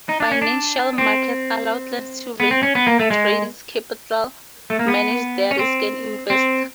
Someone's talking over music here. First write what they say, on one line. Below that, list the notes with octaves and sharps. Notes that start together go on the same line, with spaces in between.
Financial markets allow clients to raise capital, manage their risks and invest.
D#4
D4
C#4
D4
C4
B3
C4
C#4
B3
A#3
A3
G#3
A3
A#3
B3
C#4
C4
C4